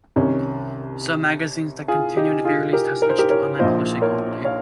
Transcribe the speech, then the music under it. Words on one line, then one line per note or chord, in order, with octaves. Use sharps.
Some magazines that continue to be released have switched to online publishing only.
C2 C3 D#3 C#4
F4 G#4
D#4 G4
F4 G#4
G4 A#4
A#4
C5
G4 A#4
A#4 C#5
A#1 A#2 F3 C5 D#5
A#4 C#5
C#5 F5